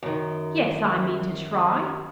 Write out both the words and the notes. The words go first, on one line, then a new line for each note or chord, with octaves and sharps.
"Yes; I mean to try."
F#2 D#3